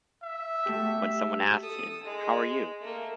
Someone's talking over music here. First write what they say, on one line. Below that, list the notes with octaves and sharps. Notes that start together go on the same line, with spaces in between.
When someone asked him, How are you?
E5
A3 F#4 G4
A4 D#6
G#3
A3 A#3